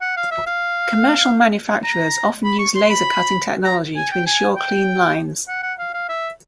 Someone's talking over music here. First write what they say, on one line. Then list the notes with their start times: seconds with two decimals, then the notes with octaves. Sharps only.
Commercial manufacturers often use laser cutting technology to ensure clean lines.
0.01 F#5
0.17 F5
0.31 E5
0.47 F5
1.84 A#5
2.44 B5
2.59 C#6
2.75 C6
2.89 B5
3.65 A#5
3.96 G#5
4.11 G5
4.27 G#5
4.56 G5
5.48 F#5
5.63 F#5
5.79 F5
5.94 F5
6.09 E5